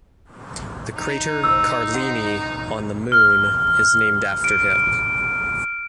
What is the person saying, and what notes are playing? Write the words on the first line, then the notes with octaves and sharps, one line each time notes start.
The crater Carlini on the Moon is named after him.
D#4
E6
F#5
F6
D7